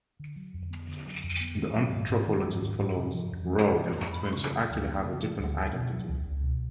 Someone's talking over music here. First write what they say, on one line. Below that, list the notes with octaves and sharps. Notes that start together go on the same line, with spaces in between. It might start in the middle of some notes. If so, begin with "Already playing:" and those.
The anthropologist follows Rogue and explains she actually has a different identity.
D3
F#3
F2
B3
D3
F#3
F2
B3
D#3
F#3
G#2
G#2
D#3
F#3
G#2
G#2
C3
F3
F2
G#3
C3
F3
F2
G#3
C#3
F3
D2
A#3
C#3
F3
D2
A#3
B2
F#3
C#2
C#2
B2